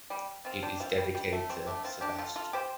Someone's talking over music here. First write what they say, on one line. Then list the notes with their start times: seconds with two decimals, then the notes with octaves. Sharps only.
It is dedicated to Sebastian.
0.10 G3
0.45 C4 F4
0.63 D4 G4
0.80 C4 F4
0.98 G3
1.15 G3
1.33 A3
1.50 G3 C4
1.67 A3 D4
1.84 C4 F4
2.01 D4 G4
2.19 F4 A4
2.36 F4 A4
2.53 G4 C5